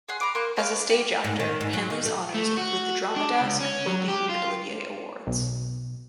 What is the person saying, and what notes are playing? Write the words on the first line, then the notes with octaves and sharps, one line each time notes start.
As a stage actor, Henley's honors include the Drama Desk, Obie, and Olivier Awards.
G#4 F#5 C6
A#5 B5 D6
A#3 C6 D6 F#6
B4 C#5 F5 G5
D4
G4
G#2
D#3
G#2
F#3
D#3
A3
A3
F#4
D4
C#2
C#4
F#3
G4
F4
B1